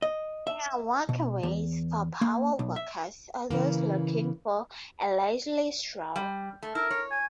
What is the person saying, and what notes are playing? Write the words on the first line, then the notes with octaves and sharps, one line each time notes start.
There are walkways for power walkers or those looking for a leisurely stroll.
D#5
E5
B2
E2
A#3
B1
E5
C#3 E3 A#3
G3
A3
E4 A#4
C#5
G#5